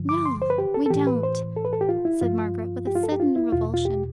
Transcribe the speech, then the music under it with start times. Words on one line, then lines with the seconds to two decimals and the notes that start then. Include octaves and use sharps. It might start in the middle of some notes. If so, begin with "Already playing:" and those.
"No, we don't," said Margaret, with a sudden revulsion.
Already playing: G2 D3 F3
0.09 D6
0.26 C6
0.42 C5
0.50 B4
0.58 G4
0.74 A4
0.86 A4
0.90 A2 E3 G4
1.07 B4
1.23 C5
1.57 A4
1.65 B4
1.73 A4
1.81 G4
1.89 F4
2.05 E4
2.22 G2 F3 F4
2.87 G4
2.95 F4
3.03 A4
3.12 G4
3.20 F4
3.36 E4
3.52 E2 B2 F4
3.74 F4
3.85 G4